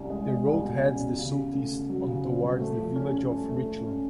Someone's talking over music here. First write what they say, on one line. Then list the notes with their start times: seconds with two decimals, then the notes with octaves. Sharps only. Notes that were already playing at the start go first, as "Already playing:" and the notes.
The route heads the southeast on towards the village of Richland.
Already playing: C2 C#4
0.10 G#3
0.28 G#3
0.46 C2
0.64 B2
0.82 C#4
1.00 B2
1.17 C#3
1.35 C#3
1.53 A3
1.71 C#3
1.89 F#3
2.07 C#3
2.25 C4
2.42 F#3
2.60 A3
2.78 F3
2.96 C#4
3.14 C#4
3.32 A3
3.50 A3
3.67 C#4
3.85 C#4